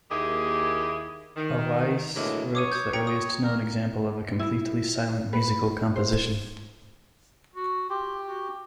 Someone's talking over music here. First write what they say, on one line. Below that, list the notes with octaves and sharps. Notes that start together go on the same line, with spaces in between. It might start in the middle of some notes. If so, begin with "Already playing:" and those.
Allais wrote the earliest known example of a completely silent musical composition.
D#2 A#3 E4 G4 G#4 D#5
D#3
A2 D3 E3 F#3 G#3 A#3
C#5 D6 D#6 D#7
D#6 G6
C#5 G5 A#5 C#7
D#6
A#4
E4
B4
C5
F#4
F4 G4
F#4